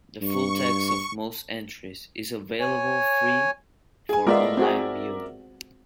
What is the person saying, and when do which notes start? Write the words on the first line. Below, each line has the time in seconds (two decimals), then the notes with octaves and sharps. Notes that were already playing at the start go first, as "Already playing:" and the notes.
The full text of most entries is available free for on-line viewing.
0.22 G2 C#6
2.60 C#5 G#5
4.09 G#4 G#5
4.27 G#3 B3 F4 A#4 D5 E5
4.57 C4 F#4 G#4